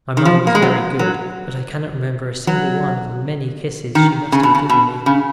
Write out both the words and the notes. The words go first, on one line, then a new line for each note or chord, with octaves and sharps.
My mother was very good, but I cannot remember a single one of the many kisses she must have given me.
D#3
F3
A#3
G#3
F#3
F#3
F#3
D#3
C#3
B2
C#3
B2
C#3